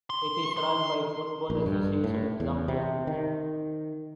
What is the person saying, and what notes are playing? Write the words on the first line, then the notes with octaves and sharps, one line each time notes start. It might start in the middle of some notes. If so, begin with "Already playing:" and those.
It is run by the Football association of Zambia.
C6
C6
A#1
G2
A2
E2
C3
D#3